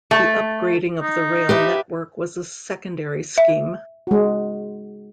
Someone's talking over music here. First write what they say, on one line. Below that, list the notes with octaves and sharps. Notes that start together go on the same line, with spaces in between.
The upgrading of the rail network was a secondary scheme.
A3
D#4
G4 B4 E5
E5
G#3 F#4